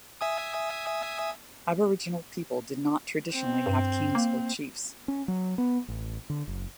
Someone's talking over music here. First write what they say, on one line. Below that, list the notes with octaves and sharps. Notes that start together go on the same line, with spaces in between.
Aboriginal people did not traditionally have kings or chiefs.
E5 G#5 D#6
C4
G2
A#3
C#4
F#3
B3
A1
D3
F#1